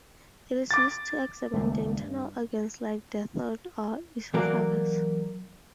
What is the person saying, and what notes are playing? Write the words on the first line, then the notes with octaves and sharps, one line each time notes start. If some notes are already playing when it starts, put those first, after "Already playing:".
It is used to examine the internal organs like the throat or esophagus.
D6 A6
D#1 C#2 A3
G2
E3 F#3 A#3 F#4 A#4 D5